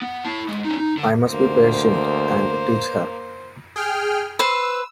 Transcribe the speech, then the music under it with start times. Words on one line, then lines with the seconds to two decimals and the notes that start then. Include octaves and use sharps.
I must be patient and teach her.
0.02 B3
0.25 E4 A5
0.48 A2 G#3
0.64 C#4 D#4
0.78 D#4
0.97 D3
1.30 D2 A#3 C5
3.76 G#4 G5 F6
4.39 B4 C5 E6